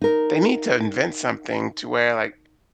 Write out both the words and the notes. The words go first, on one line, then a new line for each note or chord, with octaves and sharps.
They need to invent something to where, like,
D#4 A#4